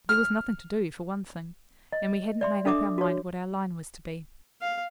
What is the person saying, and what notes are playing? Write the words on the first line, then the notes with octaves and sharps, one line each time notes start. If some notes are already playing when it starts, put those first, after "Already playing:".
There was nothing to do, for one thing; and we hadn't made up our mind what our line was to be.
F6
D#5
D5 E5 C6
D4 A4 E5 D6 D#6
F#4 C#5
F5